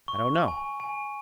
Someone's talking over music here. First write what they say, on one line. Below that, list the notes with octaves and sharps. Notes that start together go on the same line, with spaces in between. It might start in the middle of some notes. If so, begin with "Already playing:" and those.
"I don't know."
C#6
G#5
G#5